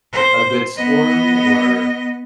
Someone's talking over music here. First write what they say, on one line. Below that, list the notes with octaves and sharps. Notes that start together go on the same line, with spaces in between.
A good storm or
C5
B3 D#5